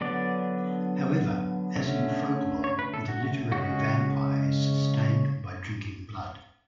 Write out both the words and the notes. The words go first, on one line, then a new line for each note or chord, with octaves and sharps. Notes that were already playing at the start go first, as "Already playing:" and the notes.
However, as in folklore, the literary vampire is sustained by drinking blood.
D3 F#3 B3 D4 D5
D3 A3 C#4
C#5
B4
A4
F#4
C#3 G#3 C#4 F#4